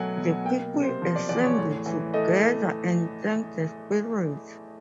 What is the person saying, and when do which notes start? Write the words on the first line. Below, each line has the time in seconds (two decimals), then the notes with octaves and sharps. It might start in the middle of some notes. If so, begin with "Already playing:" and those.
The people assemble together and thank the spirit.
Already playing: B2 F#3 A3 F#5 G#5
0.17 B2
0.45 A#3 G5
0.74 C3
0.83 C5
1.02 F3
1.16 D5
1.29 E2 D5
1.44 C#5
1.58 A2
1.86 E3
2.14 A3 D#5